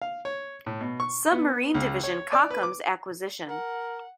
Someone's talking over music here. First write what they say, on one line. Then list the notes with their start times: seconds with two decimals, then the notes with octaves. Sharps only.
Submarine division Kockums acquisition.
0.02 F5
0.25 C#5
0.66 A2
0.81 B2
1.00 C#6
1.32 B3
1.75 C#2
2.04 C#5
2.33 D5
2.51 B4
2.63 D6
3.49 A#4 F#5